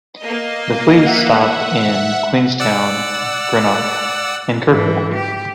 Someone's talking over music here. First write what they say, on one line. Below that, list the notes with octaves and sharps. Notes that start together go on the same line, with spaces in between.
The fleet stopped in Queenstown, Greenock, and Kirkwall.
A#3 D#5
E5 F#5
D5 F#5 E6
G#2 E3
G4